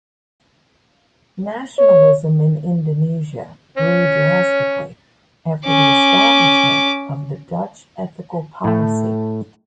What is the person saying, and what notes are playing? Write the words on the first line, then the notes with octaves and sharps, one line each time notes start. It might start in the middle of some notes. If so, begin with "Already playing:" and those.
Nationalism in Indonesia grew drastically after the establishment of the Dutch Ethical Policy.
C#5
C#4
C#4 D6
A2 A3